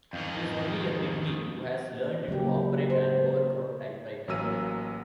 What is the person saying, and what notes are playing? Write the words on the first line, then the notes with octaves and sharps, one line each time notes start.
He's only a pygmy who has learned to operate an overgrown typewriter.
F2 D#3
C#3 F#3 A#3 G4
C5
A1 F#3 A#3 E6 D#7